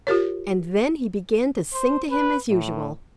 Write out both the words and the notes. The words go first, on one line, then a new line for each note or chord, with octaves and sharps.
And then he began to sing to him as usual.
F4 G4 A#4 C#5
C5
B4
A2